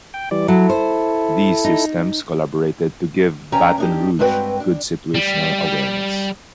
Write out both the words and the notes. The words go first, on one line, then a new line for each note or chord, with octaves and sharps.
These systems collaborated to give "Baton Rouge" good situational awareness.
G5
E3 G3 D5
F#3 E4 A4
C5
D#4
E2 C#4 G5 G#5 A#5
D4 D#4 G4
G2 G#3 C4 F#4 B4 G5
D4
G3